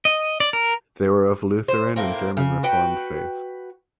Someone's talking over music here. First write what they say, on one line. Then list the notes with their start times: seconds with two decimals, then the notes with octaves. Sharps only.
They were of Lutheran and German reformed faith.
0.05 D#5
0.40 D5
0.53 A#4
1.68 C5
1.96 A2 A#3 C4
2.37 C#3
2.63 F#4 B4 G5